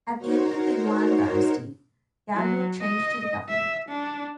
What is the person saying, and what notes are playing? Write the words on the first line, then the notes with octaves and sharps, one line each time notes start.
At the end of the Yuan Dynasty, Gaoyou changed to the government.
D#4 F#4 A#4 C5 C#5
F#3
D#5
E5
D4